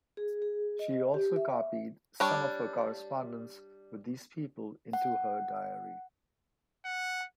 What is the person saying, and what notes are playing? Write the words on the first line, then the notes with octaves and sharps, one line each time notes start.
She also copied some of her correspondence with these people into her diary.
G#4
G#4
D#5
G4
E5
G3 D4 C#5
F#5
F#5